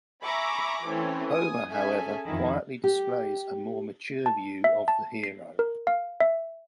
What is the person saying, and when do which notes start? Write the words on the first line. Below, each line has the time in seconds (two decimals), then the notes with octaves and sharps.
Homer, however, quietly displays a more mature view of the hero.
0.23 E5 G#5 A#5 B5 C#6 D6
0.85 E3 A3 C4 C#4 C#5
1.29 G#5 D#6
1.70 C#4 G#4 A4 E5 G#5
2.25 F2 D#3 E4
2.84 G4
4.26 A5
4.64 E5
4.88 A5
5.24 C7
5.59 A#4
5.87 F5
6.20 E5